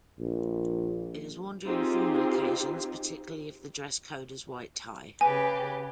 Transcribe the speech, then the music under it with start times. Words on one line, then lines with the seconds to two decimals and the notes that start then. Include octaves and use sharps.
It is worn during formal occasions, particularly if the dress code is white tie.
0.20 A#1
1.66 C4 D#4 F4 G4 G#4
5.21 C#3 G4 B4 G#5